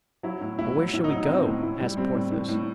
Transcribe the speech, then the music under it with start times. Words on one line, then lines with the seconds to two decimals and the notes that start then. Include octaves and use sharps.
"But where shall we go?" asked Porthos.
0.23 F#3 E4
0.41 A2
0.59 A2 E4
0.76 F#3
0.93 A2 E4
1.04 D#4
1.11 F#3
1.16 D#4
1.28 A2 C4
1.46 A2
1.63 A2 E4
1.80 G3
1.97 G3 C4
2.14 A2
2.32 A2
2.48 A2